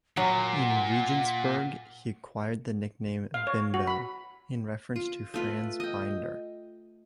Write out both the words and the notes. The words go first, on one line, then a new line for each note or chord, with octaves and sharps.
In Regensburg he acquired the nickname "Bimbo" in reference to Franz Binder.
A#2 F#3 F#5
F5
C#5
F#4
B5
F4
A3 F4 B4
D#5 G5